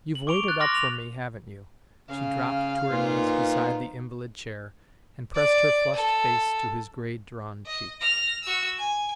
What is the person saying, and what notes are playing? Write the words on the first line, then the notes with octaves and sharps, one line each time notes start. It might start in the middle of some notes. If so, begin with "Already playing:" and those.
"You've waited up for me, haven't you?" She dropped to her knees beside the invalid chair and pressed her flushed face to his gray, drawn cheek.
F#7
C#6 D6 D7 F7 G7
F#6 A6
C6 D6 F6 A#6
F7
C#3 F5
A#2 B3 D#4 F4 C5
D5
A4
D#5
F6 A#6
F#4 E6
G#5